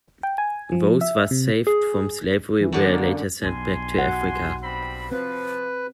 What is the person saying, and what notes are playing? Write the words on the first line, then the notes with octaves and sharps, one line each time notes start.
Those thus saved from slavery were later sent back to Africa.
G5
G#5
F3
E5
C3
G#4
E3
F#2 D3
A#3
B1 G2 G#5 C6
F#4 F#5
G2 C4 B5
F3 C4 B4